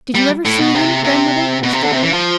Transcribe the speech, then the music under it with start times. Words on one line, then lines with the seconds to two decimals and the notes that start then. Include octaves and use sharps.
"Did you ever see him, grandmother?" asked the girl.
0.15 G3
0.45 A2
0.59 B2
0.75 C3
1.04 C3
1.63 B2
1.73 C3
1.82 D3
1.92 C3
2.03 E3
2.13 F3